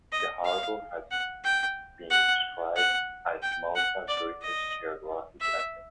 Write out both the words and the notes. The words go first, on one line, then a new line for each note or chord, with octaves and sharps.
The harbour has been described as Malta's greatest geographic asset.
D#5
F5
F#5
G5
F#5
F#5
G5
F#5
D5
D#5
E5